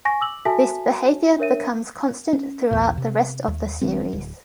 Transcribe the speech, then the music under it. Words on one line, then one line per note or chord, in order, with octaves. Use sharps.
This behavior becomes constant throughout the rest of the series.
G#5 C#6 A#6
D6 E6 F#7
F#4 A4 E5 G#5 A5 B6
D4 A#4 C#5 E5 D#7
C#4
B1 E2 A#2
C3
D#2
F1 D#3 G#3 C4
D1